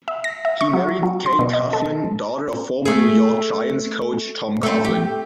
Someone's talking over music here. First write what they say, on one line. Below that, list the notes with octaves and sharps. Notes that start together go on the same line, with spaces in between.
He married Kate Coughlin, daughter of former New York Giants coach Tom Coughlin.
E5
A#6
E5
C#6
F#3
F#3
C6
B2
D#5
A4
A3 G#4
A3 C4
G4